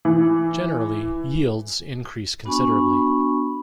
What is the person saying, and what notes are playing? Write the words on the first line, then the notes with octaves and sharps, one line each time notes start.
Generally, yields increase considerably.
E3
B3 D4 F#4 G#5 B5 C#6